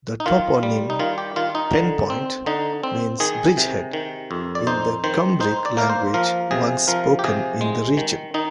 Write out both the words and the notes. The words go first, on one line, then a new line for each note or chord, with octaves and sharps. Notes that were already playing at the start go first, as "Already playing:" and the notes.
The toponym "Penpont" means "bridge-head" in the Cumbric language once spoken in the region.
D#4
D#3 F4
G3
D#4
D#3 F4
G4
D#3 F4
D#4
D3
C4
D3 D#4
C4
D#3 G#4
C3
D#3
F2
D5
D#4 C5
D#3 C5
D#4 C5
D5
A#3 A#4
C5
F3 A#4
C3 G#4
F3 A#4
G4
C3 G#4
G#3
D#3
D#3 D#4